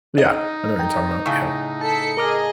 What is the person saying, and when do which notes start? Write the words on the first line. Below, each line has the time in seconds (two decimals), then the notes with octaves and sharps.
Yeah, I know what you're talking about, yep.
0.18 D#4 D#5
0.79 G5 A#5
1.26 A2 C#3 C#6
1.81 A4 A5 B6 C#7
2.17 G#4 A#4 D#5 A#5 D6 F6